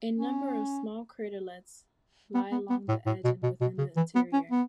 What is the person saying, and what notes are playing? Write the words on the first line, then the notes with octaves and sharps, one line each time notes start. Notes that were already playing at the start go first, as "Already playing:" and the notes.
A number of small craterlets lie along the edge and within the interior.
C#4
B3
B3
B3
A2
A2
B2
B2
B2
C#3
E3
B3
C#4
B3